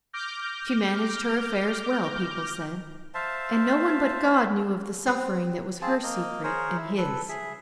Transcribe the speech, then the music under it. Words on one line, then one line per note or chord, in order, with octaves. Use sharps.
She managed her affairs well, people said, and no one but God knew of the suffering that was her secret and His.
D6 F6 G6 A#6
C5 E5 F5 A5
C4
C4 F4 G#4 A5
A#3 D#5
G#4 A#4 C5 C#5
E4
A4 B4
G#4 E5